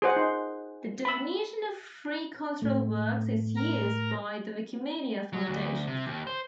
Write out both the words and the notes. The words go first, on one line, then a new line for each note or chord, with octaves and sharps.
The "Definition of Free Cultural Works" is used by the Wikimedia Foundation.
G#4 C5 F#5
D#4 C6
B5 E6
A2 A3
A#4 A#5
F#3
D2
C3
D#2
C5